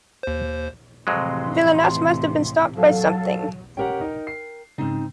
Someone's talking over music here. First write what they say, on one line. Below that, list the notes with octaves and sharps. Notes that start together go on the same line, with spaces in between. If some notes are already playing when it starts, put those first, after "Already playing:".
Villainess must have been stopped by something.
D#2 C5
F2 A2 C3 E3 F#3 G#3 C6
F#3 A4 F5 A5
C#4 G4 A#4 F#5 G5
D#4
C7
G#2 C#3 C4 D#4